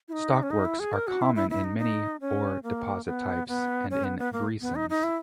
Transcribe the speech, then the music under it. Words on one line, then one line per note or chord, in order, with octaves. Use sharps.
Stockworks are common in many ore deposit types and in greisens.
E4
D#4
C#4
D#4
E4
G#4
A#4
F#4
E4
E4
E4
D#4
D#4
C#4
A#3
B3
B3
C#4
B3
B3
A#3
B3
D#4
D#4
E4